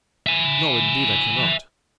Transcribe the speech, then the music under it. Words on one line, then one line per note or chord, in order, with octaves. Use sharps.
"No, indeed, I cannot."
E5 G#5